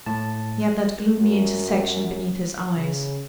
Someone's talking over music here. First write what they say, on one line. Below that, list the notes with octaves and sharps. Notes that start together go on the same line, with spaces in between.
He had that gloomy intersection beneath his eyes.
A2 A5
F#2
C#3